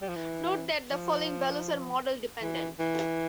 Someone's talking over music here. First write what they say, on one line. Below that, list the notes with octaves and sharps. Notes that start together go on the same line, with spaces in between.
Note that the following values are model dependent.
G3
F3
E3
F3
E3
E3